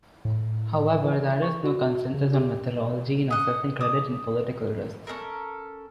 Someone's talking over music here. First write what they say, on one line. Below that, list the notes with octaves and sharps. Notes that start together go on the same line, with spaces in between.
However, there is no consensus on methodology in assessing credit and political risks.
A2
E3
C#6
F#4
C#3
G4
D#5 F#5
D6 D#6
C#4 D4 A4 A#4